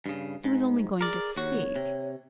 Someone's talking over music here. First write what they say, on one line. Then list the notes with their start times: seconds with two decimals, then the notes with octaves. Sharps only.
He was only going to speak.
0.06 G2 C#3
0.44 G#2
1.01 G#4 A#4 D5
1.36 D#2 F#4 C#5
1.76 C3